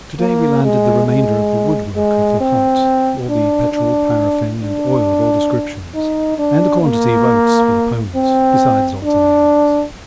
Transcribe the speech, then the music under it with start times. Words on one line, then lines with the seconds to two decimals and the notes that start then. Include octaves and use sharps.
To-day we landed the remainder of the woodwork of the hut, all the petrol, paraffin and oil of all descriptions, and a quantity of oats for the ponies besides odds and ends.
0.20 A#3
0.63 G#3
1.08 G#3
1.96 G#3
2.41 C4
3.28 D4
3.73 D4
4.62 D4
5.94 D#4
6.38 D4
6.83 A#3
8.16 C4
9.03 D4